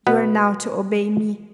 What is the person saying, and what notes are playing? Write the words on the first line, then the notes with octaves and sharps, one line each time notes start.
You are now to obey me.'
B2 B3 B4